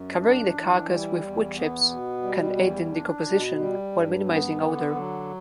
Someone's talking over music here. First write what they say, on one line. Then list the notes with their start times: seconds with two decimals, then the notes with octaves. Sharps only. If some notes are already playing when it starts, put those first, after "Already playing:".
Covering the carcass with wood chips can aid in decomposition while minimizing odor.
Already playing: F#2
0.19 D4
0.54 E3
0.88 G3
1.22 E2
1.56 B3
1.89 B2
2.23 G3
2.57 E2
2.92 D4
3.25 B2
3.59 G3
3.93 G2
4.27 B3
4.61 D3
4.95 F#3